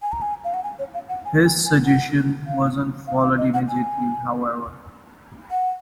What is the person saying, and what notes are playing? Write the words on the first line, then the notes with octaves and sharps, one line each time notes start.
His suggestion wasn't followed immediately, however.
G#5
A#5
G#5
F5
F#5
G#5
C#5
F5
F#5
G#5
G#5
G#5
F#5
F5
F5
F5
D#5
F#5
G#5
F#5